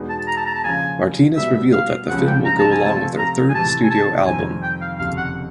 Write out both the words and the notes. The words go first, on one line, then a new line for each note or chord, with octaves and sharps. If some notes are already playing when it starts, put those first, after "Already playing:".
Martinez revealed that the film will go along with her third studio album.
Already playing: E2 B2 G#3 B3 D#4
A5
A#5
A5
A#5
A5
C#3 F3 A#3 G#5
B2 G3 B3 E5
F5
C#2 C3 F3 G#3 C#4 F#5
G5
A#5
A5
G#5
C3 F3 A3 A5
A#5
G#5
C3 E3 A3 A5
G#5
A5
F2 C3 D#3 G3 C4 G#5
G5
F5
F#1 F2 C3 D#3 F5
F#5